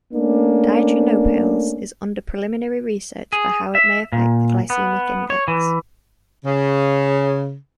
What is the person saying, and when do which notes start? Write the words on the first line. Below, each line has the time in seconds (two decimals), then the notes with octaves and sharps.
Dietary nopales is under preliminary research for how it may affect the glycemic index.
0.14 A3 A#3 C#4 D4
3.33 G#4
3.75 E5
4.12 A#2
4.70 B3
5.30 C#5
5.48 E3
6.45 C#3